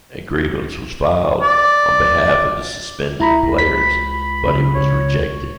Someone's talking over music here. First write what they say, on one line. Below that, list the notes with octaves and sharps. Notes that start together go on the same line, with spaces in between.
A grievance was filed on behalf of the suspended players, but it was rejected.
D5
C#2 E4 A#5 B5
B5 B6
C#3
C#5